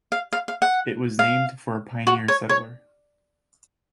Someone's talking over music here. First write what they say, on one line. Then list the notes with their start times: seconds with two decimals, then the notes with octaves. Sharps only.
It was named for a pioneer settler.
0.12 F5
0.33 F5
0.48 F5
0.62 F#5
1.19 F5
2.07 F#4
2.28 C#5
2.49 C#5